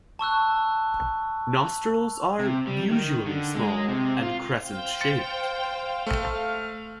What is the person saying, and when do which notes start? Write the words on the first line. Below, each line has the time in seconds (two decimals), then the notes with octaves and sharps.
Nostrils are usually small and crescent shaped.
0.19 A5 C#6 E6 F#6
2.39 C3
2.67 G3
2.91 D#3
3.26 D3
3.55 G#3
3.88 C3
4.22 F4
4.65 C5 F5 G5
5.01 A6 C#7
6.07 A3